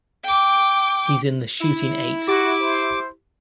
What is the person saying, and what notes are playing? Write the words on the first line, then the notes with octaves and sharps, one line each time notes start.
He's in the shooting eight.
G5 D6
E4
F#4 G4 D6
C5